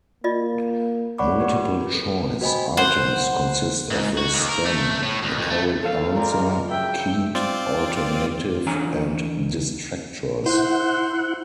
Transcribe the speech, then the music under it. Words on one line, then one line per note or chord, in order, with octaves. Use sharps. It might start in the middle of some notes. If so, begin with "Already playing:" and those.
Multiple choice items consist of a stem, the correct answer, keyed alternative, and distractors.
A#3 F4 D5 D#5
C#5 D5 F#5 B5 C#6 D6
G4 B4
A4
F#4 C5 D#5 G5 G#5 B5
C5 F#5
G#2
F#4
D#2
A#4
A3
A3
A2
D2
F2
A3
A4 F5
G2 G#3 F4 A#4 D5 A#5
C#3 F#3 E5 G5
C4 F4 D5
E3 C#4 D4 F4 G#5 A#5
E4 C5 F#5